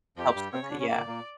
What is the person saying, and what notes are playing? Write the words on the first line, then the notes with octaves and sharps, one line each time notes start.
Helps with it, yeah.
F2 F3 G4
G2 G3
C3 C4 C#5
C#3 C#4
D3 D4
C#3 C#4
A#2 A#3 D5
A#2 A#3